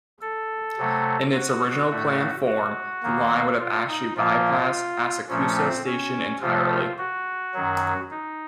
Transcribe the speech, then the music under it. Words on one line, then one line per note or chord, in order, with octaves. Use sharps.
In its original plan form, the line would have actually bypassed Asakusa Station entirely.
A4
C3 F#3 A3
F#4
A2 A3
F#4
D#2 D#3 A#3
F4
D#4
A#2 F3 A#3 F4
A#2 F3 A3 C#4
C4
C#4
C3 F3 A3 F4
F#4
F#2 D#3 F#3
D#4